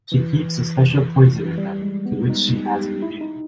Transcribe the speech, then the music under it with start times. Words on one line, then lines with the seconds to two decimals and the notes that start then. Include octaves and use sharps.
She keeps a special poison in them, to which she has an immunity.
0.12 E3
1.45 E3
1.58 G3
1.82 G#3
2.06 B3
2.30 D#4
2.66 G4
3.02 E4
3.21 D#4